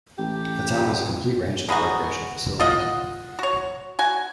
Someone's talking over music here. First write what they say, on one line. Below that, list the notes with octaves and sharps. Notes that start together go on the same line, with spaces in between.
The town has a complete range of recreational facilities.
A1 G4
G#3 B3 D#4 F#4
F4 D#5 F#5
F#4 C#5
F#4 G#5